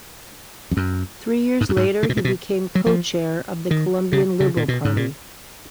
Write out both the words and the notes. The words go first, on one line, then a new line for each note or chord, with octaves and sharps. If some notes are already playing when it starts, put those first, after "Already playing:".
Three years later he became co-chair of the Colombian Liberal Party.
F2
F#2
G#2
F#2
G#2
C#3
B2
A#2
B2
F#3
F3
D#3
C#3
C#3
A#2
B2
G#2
A#2